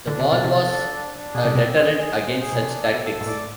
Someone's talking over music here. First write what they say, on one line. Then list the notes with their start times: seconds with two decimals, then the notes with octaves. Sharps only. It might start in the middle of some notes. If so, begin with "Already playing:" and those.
The wall was a deterrent against such tactics.
0.07 D3 D4
0.19 C3
0.29 B2 A4
0.44 C3
0.50 A4
0.71 D4
0.93 D4
1.13 D4
1.34 B2 G#4
1.45 C3
1.55 B2 C4
1.78 G#4
1.99 G#4
2.20 C5
2.41 G#4
2.53 B2
2.63 C3 D4
2.83 A4
2.95 B2
3.05 A4
3.21 G#2
3.26 A2 D5